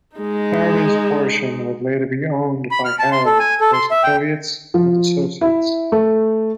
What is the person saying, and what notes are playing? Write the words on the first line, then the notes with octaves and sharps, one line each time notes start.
Harriman's portion would later be owned by Harriman, close affiliates and associates.
G#3 D#4
B5
F6
A5
C6
A4
G#5
A4
C6
E5
G5
F3
E4
A3